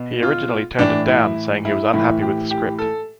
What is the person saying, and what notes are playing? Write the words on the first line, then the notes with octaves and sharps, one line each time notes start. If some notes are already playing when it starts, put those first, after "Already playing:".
He originally turned it down, saying he was unhappy with the script.
Already playing: B2
F4
A2 E3 D4
E4
E4
A2 E3 E4
G4
G4
A4